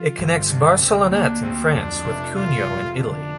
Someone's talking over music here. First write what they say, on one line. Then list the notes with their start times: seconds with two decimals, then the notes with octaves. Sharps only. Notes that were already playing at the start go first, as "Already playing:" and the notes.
It connects Barcelonnette in France with Cuneo in Italy.
Already playing: F3 F4
0.18 G1
0.48 C3 D4
0.79 D2 C4
1.11 A#3 D4
1.42 D2 C4
1.73 F2 D4
2.04 F1
2.36 C3 F4
2.66 F1
2.97 D3 D4